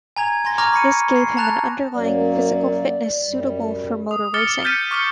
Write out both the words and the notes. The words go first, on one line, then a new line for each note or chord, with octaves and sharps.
This gave him an underlying physical fitness suitable for motor racing.
G#5 A#5 G#6 F7
G#5 C6 A#6
A#5 C#6 D6 F6 G#6 A#6
B5 A#6 C#7 D#7
C7
A5 A#5 F#6 A6 F7
F#2 F#3 A#3 D5
F#2 G3
D#6
D6 F6 A6 C#7 G7
F6 G6 A6 B6 C#7 D#7
C#6 D6 F6 C#7 G7